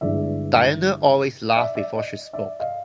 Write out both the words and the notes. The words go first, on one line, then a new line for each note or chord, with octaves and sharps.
Diana always laughed before she spoke.
G1 G2 E3 G#3 D5 E5
D5 E5
D5 E5
D#5
D5 E5
D#5 F5